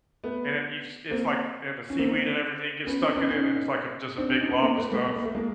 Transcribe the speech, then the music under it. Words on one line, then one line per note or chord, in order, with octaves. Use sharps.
and it eves it's like and the seaweed and everything gets stuck in it, and it's like a just a big glob of stuff.
A3 B3
A#3 C4
C#4
A#3 C4
B3 C#4
C4 D4
B3 C#4
C#4 D#4
C4 D4
C4 D4
C#4 D#4
B3 C#4
A#3 C4
A3 B3
G#3 A#3
B3
A#3
A3
G#3 A#3